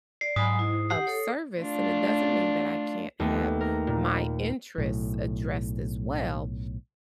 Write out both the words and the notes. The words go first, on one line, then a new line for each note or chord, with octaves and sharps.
of service, and it doesn't mean that I can't have my interests addressed as well,
D5 C7
G#2 F#3 G#5 B5 D#6
E4
G4 F#5 C7
A4 C#5
A3 D4 F4
D#2 A3 B3
A#4
A#2
B1 A2